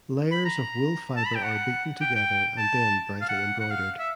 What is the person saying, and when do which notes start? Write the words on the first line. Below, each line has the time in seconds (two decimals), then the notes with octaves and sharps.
Layers of wool fibre are beaten together and then brightly embroidered.
0.31 B5
0.45 A#5
1.17 A5
1.26 B5
1.35 G5
1.44 F#5
2.01 G5
2.15 G5
2.58 A5
3.22 F5
3.29 F#5
3.60 F#5
3.71 F5
3.99 E5